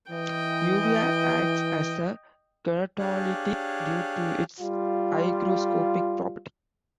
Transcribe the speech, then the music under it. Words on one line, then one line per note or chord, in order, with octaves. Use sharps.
Urea acts as a keratolytic due to its hygroscopic property.
E3 D#5 G5
D4 G4 G#4 C#5 F5 F#6
G3 F4